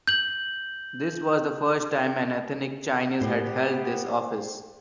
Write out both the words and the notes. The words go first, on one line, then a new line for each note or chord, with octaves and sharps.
This was the first time an ethnic Chinese had held this office.
G6 F#7
A2 B3 G4 C5 G5